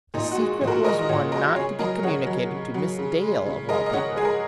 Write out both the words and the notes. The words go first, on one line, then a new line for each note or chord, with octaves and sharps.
"The secret was one not to be communicated to Miss Dale of all people."
A#2 D#4
D#4
F#4
G#3
A#2
F#4 A#4
G#3 A#4 D#5
D#5
A#2 C#5 F#5
G#3 A#4 D#5
C#3 G#4 C#5
F#3 A#4 D#5
C#3 C#5 F#5
F#3
C#3
F#3
C#3
G#3
C#3
G#3 A#4 D#5
D#5
C#3 C#5 F#5
G#3 G#4
A#4